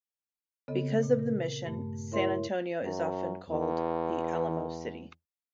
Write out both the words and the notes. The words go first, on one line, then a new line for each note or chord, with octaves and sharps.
Because of the mission, San Antonio is often called the "Alamo City".
C#3 B3 C4 A4 D#5
A#2
A#4
G2 A3
E4 A#4 C#5 E5 C6
F#2
E2